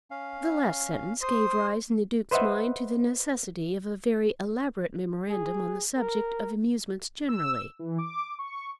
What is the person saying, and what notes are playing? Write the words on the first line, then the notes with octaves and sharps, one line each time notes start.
The last sentence gave rise in the Duke's mind to the necessity of a very elaborate memorandum on the subject of amusements generally.
C#4 F5
C5 C6 D#6
B4 C5 D#5 E5 F#5
G#4
A#4
E6
E3
D6
C#6